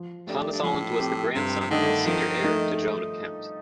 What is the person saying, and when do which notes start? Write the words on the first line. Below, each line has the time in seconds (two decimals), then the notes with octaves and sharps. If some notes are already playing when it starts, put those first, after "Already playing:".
Thomas Holland was the grandson and senior heir to Joan of Kent.
Already playing: F3
0.27 G2 A3 D4 G4
0.53 G2
0.63 A2 F3
0.99 C4 G4
1.35 G2 C3
1.61 C3
1.70 D3 D#3 A3 D#4
2.06 D#3 F3
2.42 A3 D#4